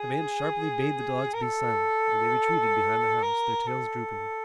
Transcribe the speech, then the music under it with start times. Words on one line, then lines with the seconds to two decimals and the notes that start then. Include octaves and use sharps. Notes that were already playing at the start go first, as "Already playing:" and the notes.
The man sharply bade the dogs be silent and they retreated behind the house, their tails drooping.
Already playing: G#4
1.34 A#4
1.42 A4
3.23 A#4
3.67 A4